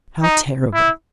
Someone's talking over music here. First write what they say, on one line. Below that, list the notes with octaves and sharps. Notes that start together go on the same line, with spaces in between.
How terrible!
D#4
E4